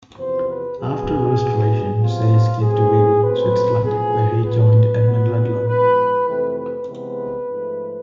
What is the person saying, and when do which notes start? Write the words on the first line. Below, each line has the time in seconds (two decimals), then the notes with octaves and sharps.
After the Restoration, Say escaped to Vevey, Switzerland, where he joined Edmund Ludlow.
0.18 E2 C3 F3 B3 C5
0.48 B4
0.79 B2 B3 G#4
1.39 B2 B3
2.00 F2 C3 F3 B3 F4
2.61 B2 A3 C4 G#4
3.23 B2 A3 C4 B4
3.84 A2 F3 B3 G#4
4.44 B2 B3 B4
5.06 B2 B3
5.67 G#2 F3 G#3 B3 B4
6.27 F2 C3 E3 A3 C4 B4
6.58 B4
6.89 C3 E3 G#3 B3 B4
7.50 G#2 F3 A3